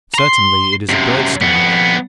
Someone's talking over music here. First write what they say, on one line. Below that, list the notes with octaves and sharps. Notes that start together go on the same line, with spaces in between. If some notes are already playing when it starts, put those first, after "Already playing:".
Certainly it is a bird's stomach.
A#5 C6
F#2 C3
F2 B3